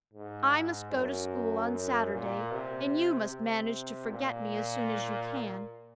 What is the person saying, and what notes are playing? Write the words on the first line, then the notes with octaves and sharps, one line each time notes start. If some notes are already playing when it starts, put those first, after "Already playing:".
I must go to school on Saturday, and you must manage to forget me as soon as you can.
G#2
F#2
F#2
A#2
C3
C3
A#2